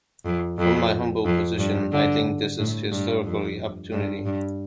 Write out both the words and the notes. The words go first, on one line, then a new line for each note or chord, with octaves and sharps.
From my humble position, I think this is a historical opportunity.
F2
F2
F2
G2
D3
A2
G2
F2
G2
G2